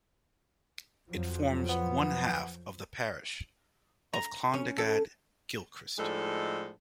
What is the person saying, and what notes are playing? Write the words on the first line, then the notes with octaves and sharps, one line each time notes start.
It forms one half of the parish of Clondegad-Kilchrist.
F2 F3 F#3
B3
A#5
C#4
A4
A2 F3 G#3 D4 D#4 A4